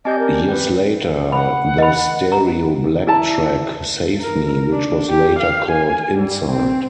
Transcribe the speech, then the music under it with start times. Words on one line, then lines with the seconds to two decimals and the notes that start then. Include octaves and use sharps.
Years later, the Stereo Black track "Save Me" which was later called "Inside".
0.05 C4 G4 D5 D#5 G#5 A5 G6
0.19 A#4
0.49 B4 G5
1.32 F#5 B5
1.78 D#5 B5
2.32 A#5
3.07 E4 D5 A5 A#5
4.21 A#4
4.72 D4
5.10 G4
5.40 F5
5.72 G#5
6.19 G3
6.51 C4